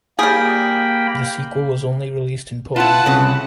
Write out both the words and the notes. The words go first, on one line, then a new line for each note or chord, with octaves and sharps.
The sequel was only released in Poland.
G3 A#3 G#4 G5 B5
E4 F4 B4 F#5 A5
C2 C#3